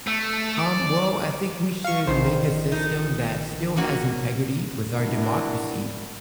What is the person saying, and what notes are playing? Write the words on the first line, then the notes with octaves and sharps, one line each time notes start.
Um, well, I think we should make a system that still has integrity with our democracy,
A3
D5
F5 C#6
A#1 D#3 C5
D#4 A4
A#3 C#4 F#4
E3 D4 E4 F#4 A#4